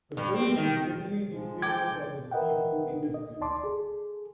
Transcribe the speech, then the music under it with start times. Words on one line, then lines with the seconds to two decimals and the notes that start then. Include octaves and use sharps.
The village is heavily dependent on the seafood industry.
0.17 G2
0.34 C4
0.56 D#3
1.29 F3 G#3
1.62 A4 G5 D6 G#6
2.31 A#4 B4 D#5 E5 F#5 G5
3.14 D#5
3.41 D2 D5 A5 C6 D6
3.63 G#4 A4